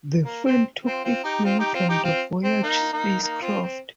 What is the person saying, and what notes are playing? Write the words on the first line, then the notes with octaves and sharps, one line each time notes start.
The firm took its name from the Voyager space craft.
A#3
C4
C4 F4
C4 F4
D#4 G4
C4 F4
D#4 G4
C4 F4
D#4 G4
C4 F4
C4
A#3 D#4
A#3 D#4
A#3 D#4
C4 F4
C4